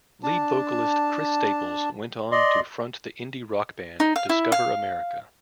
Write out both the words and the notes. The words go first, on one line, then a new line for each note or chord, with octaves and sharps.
Lead vocalist Chris Staples went on to front the indie rock band Discover America.
D4 A5
D5 D#5 C6
D#4
F5
E4
F5